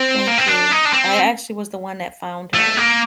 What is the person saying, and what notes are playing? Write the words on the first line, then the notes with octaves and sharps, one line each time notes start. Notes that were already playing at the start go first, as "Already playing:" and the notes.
Thank you. I actually was the one that found her
Already playing: C4
A#3
C4
D4
D#4
D4
C4
A3
A#3